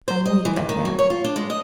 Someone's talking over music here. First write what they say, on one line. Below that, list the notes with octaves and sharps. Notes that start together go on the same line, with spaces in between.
I'm weak, I can't....
C5
D#5
E3
G2
D#3
F#3
C#5
F4
D4
G#3
D#5